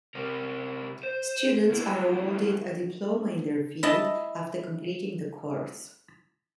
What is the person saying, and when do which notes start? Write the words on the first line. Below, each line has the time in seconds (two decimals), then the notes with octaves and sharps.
Students are awarded a Diploma in their field after completing the course.
0.15 C3 A#4
1.03 C5
1.70 D2 E4
3.83 E4 D#5 A5